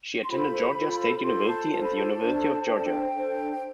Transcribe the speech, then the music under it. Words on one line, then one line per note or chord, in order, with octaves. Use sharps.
She attended Georgia State University and the University of Georgia.
C6
F4 A4 C5 B5
F4 A4 C5
F4 A4 C5 C6
A5
F4 A4 C5 A5
B5
A5
D4 A4 C5
D4 A4 C5 G5
A5
G5
D4 A4 C5
G5